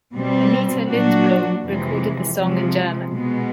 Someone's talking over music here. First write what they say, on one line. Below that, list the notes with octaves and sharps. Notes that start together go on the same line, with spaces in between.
Anita Lindblom recorded the song in German.
B2 G3 C4
A#2 F#3 A#3 D4 F#4
F2 C3 E3 G#3
C3 F3 G#3
B2 G#3 B3